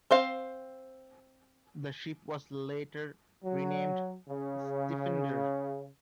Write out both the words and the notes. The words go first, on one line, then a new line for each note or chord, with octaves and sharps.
The ship was later renamed Stifinder.
C4 C5 F5
F#3
C#3